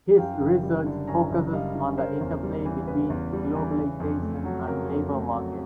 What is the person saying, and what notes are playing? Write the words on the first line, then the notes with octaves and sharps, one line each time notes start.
His research focuses on the interplay between globalization and labour markets.
F#2 F5 G5
F#1
G3
D3
F#2 G#5 A#5
F#1
G3 D#5 F5
D3
C#3 A#4 C5
E2
G3
E3
C#3 B4
E2
G3
E3
C#3
F2
A3
F#3
C#3 A#4
F2
A3
F#3